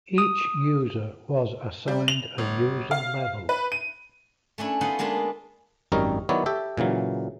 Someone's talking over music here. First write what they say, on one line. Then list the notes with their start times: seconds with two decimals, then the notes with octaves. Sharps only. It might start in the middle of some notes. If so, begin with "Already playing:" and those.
Each user was assigned a user level.
0.18 D#6
1.88 G3
2.08 F7
2.38 G1
2.91 F5
3.49 B4
3.72 D#7
4.58 A3 C#4 D4 E4
4.81 B3 D#4 F4 C5 F#5
4.99 G#3 A#3 B3 D4 F4
5.92 G#1 F#2 G3 D#4 A#4 C#5
6.29 D#3 F#3 B3 E4 C#5 D5
6.46 G4 A4 E5 G5
6.77 A#2 C#3 E3 F#3